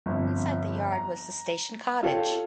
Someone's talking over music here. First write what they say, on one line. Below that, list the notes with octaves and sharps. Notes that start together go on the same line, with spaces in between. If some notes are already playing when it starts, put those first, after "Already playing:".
Inside the yard was the station cottage.
G1 F2
A#5
F4 A4 C#5 F5 G5